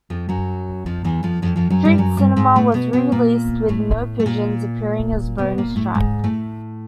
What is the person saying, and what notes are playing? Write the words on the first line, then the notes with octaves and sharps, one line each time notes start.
"Street Cinema" was re-released with "No Pigeons" appearing as a bonus track.
F2 F3
F#2 F#3
F2 F3
E2 E3
F2 F3
F2 F3
F2 F3
F#2 F#3
G2 G3
F#2 F#3
G2 G3
G#2 G#3
A2 A3
B2 B3
B2 B3
A#2 A#3
A2 A3
A3
A#2 A#3
B2 B3
A#2 A#3
A2 A3
G#2 G#3
A2 A3